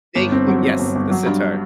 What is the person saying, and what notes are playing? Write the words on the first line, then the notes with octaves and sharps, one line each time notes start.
Thank you Yes, the sitar.
G1
C4
F#3
C4
G1
G1
F#3
G2